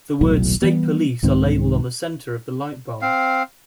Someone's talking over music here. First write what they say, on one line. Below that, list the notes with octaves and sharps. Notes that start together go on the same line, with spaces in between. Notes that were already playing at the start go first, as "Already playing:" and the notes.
The words "State Police" are labelled on the center of the light bar.
D#1 B1 A2 F#3
E3 G3 B3
C2 G#2 D#3 C4
C4 F5